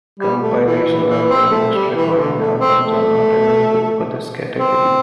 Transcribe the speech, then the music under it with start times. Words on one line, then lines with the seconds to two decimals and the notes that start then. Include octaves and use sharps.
Compilation or remixed recording albums are not eligible for this category.
0.20 G3
0.42 A3
0.64 E3
0.86 E3
1.07 E3
1.29 C4
1.51 A3
1.73 G3
1.95 E3
2.16 D3
2.39 A3
2.60 C4
2.82 A3
4.58 C4